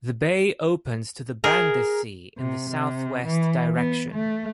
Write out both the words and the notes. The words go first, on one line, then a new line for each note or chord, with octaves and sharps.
The bay opens to the Banda Sea in the southwest direction.
G#4 A#4
C3
C3
E3
B3
A3